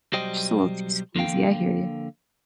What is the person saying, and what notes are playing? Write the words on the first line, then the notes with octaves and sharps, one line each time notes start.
Just a little too skeezy, I hear you.
B1 F#3 G3 C5 D#5 G5
D3 F3 A#3 F5 G5